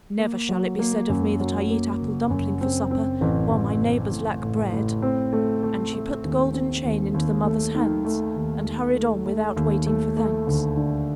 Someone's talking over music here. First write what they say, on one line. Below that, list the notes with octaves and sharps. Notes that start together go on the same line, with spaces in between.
"Never shall it be said of me that I eat apple dumpling for supper while my neighbors lack bread;" and she put the golden chain into the mother's hands and hurried on without waiting for thanks.
A#3
F#3
A#3
F#2
F#3
A#3
F#1
F#2
C4
C4
A1
A1
C4
A2
A2
A2
C4
A3
A3
A3
D#2
C4
D#2
D#2
A3
D#3
A3
D#2
D#2
A3
A3
D#2
A3
A3
D2
D3